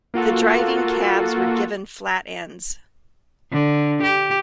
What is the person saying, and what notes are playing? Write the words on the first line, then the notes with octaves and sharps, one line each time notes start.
The driving cabs were given flat ends.
A#3 F4 F#4 A4
D3
G4